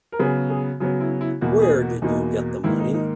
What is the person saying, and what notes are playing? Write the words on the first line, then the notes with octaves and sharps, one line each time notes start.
Where did you get the money?
A#4
C#3 F#3 B3 G#4
G#4
C#3 F#3 B3
E4
E4
E2 B2 A#3 F#4
G#4
F#4
E2 B2 A#3 D#4
G#2 D#3 A#3 E4
D#4
D#4